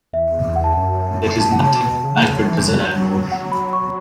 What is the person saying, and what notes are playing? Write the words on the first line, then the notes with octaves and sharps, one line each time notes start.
There is nothing I could desire more.
E2 E5
E2
F#5
A5
F#2 F#5
F#2 A5
F#5
C#3 A5
B2
C#3
E3
C#3
F#3
E3
F#3
F#5
B5
C#6